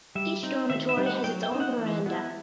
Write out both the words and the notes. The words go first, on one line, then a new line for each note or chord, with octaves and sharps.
Each dormitory has its own veranda.
G3 E5
C4 D#4
D#3 E5
E5
G3 C4 D#4
F#5
F#3 G5
G5
C4 D#4
F#5
E3
B3 E4